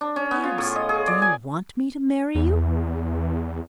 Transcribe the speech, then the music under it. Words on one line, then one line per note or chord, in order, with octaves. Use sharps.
"Bibbs, do you want me to marry you?"
D4
C#4
B3
F4
A2
D#5
G#4
D5
G#5
E2